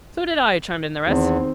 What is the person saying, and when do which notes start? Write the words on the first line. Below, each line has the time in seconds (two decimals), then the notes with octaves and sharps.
"So did I," chimed in the rest.
1.07 E2 D#3 C4